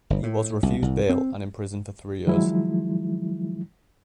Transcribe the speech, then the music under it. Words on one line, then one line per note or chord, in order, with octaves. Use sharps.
He was refused bail, and imprisoned for three years.
G1
A2
C2
C2
C4
D#3 F3 F#3 G#3 E4